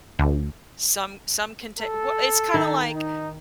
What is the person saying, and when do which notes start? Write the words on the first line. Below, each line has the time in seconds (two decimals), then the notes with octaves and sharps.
some some can ta well, it's kinda like,
0.19 D2
1.80 A4
2.54 D#3
2.94 D#4